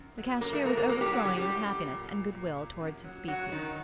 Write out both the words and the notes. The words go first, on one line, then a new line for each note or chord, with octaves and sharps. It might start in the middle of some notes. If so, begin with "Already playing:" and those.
The cashier was overflowing with happiness and goodwill towards his species.
Already playing: F#2
F#3
F#2 A#3 A#4
A3 A4
F#3 A#3 A#4
A#3 A#4
A2 A#3 A#4
G3 G4
A2 F#3 F#4
G3 G4
F#2 G3 G4
F#2
A#2
A#2
A#2
A#2
F#2
F#3
G2 F#3 F#4
D#3 F#3 D#4